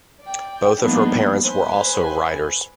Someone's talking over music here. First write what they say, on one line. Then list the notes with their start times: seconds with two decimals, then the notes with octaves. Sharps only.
Both of her parents were also writers.
0.21 D5 G5
0.80 F3 G3 A#3 B3 D4 D#4
1.41 B4 C5 G#5